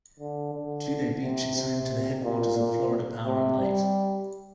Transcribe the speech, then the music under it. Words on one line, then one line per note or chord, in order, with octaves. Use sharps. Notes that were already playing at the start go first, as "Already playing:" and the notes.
Juno Beach is home to the headquarters of Florida Power and Light.
D3
D3
C3
C3
A#2
A#2
C3
G3